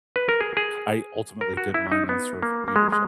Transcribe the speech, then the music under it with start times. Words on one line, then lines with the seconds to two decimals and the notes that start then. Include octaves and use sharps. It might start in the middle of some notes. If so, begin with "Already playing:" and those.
I ultimately did mine on servant leadership,
0.16 B4
0.29 A#4
0.41 G#4
0.57 G#4
1.41 A#4
1.57 F#4
1.74 E4
1.92 D#4
2.09 B3
2.42 A#3
2.68 A#3
2.76 G#3
2.92 G#3